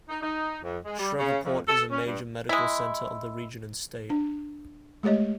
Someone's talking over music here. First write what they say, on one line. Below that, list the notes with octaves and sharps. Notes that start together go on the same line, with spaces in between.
Shreveport is a major medical center of the region and state.
D#4
D#4
F2
G#3
G3
C#3
F2
A4
C#4
G2
G#3 E4
D4
G#3 A3 G4 C#5 D#5